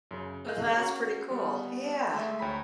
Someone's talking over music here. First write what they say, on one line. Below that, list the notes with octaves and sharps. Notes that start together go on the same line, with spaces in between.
That's pretty cool, yeah.
F#2 C#3
G#4 A#4 D#5 F5 F#6 G6
C#4 F#4
G3 B3
G#3 A3 E5
D2 C#5 G5 A#5 B5 B6